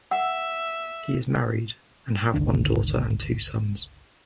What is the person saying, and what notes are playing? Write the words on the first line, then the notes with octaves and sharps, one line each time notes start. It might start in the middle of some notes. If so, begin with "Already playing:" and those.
He is married and have one daughter and two sons.
E5 F#5 E6
G1 C#2 D#3 D4